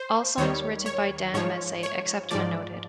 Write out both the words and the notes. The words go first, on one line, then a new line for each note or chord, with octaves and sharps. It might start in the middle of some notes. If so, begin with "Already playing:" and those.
All songs written by Dan Messé, except when noted.
Already playing: C5
D#2 D#3 G3 C#5
C#5
G#2 F3 C#5
C#5
G#2 F3 D5